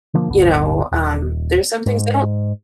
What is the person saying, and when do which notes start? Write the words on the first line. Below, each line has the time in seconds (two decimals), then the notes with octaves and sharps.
You know, um, there's some things they don't
0.14 B2 D3 F3 A#3
0.28 D1 G1 D3 B3
0.92 D#1
1.86 G#2